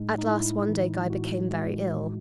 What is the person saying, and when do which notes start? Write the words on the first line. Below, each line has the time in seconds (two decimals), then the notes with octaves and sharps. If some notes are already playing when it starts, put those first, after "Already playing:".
At last one day Guy became very ill.
Already playing: A2 G#3 D#4
0.18 D#4
0.27 A2 E4
0.69 E3
1.09 A2 F#4
1.50 G#3
1.91 A2